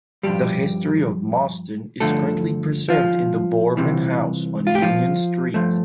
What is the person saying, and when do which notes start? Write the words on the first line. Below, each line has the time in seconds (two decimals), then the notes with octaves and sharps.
The history of Mauston is currently preserved in the Boorman House on Union Street.
0.23 G2 F3 G3 G4
2.00 G2 D3 F3 A3 A4
2.89 F3 F4
3.77 C2 C3 E3
4.67 F4
4.75 G4
4.82 F3 F4
5.54 G2 F3 A3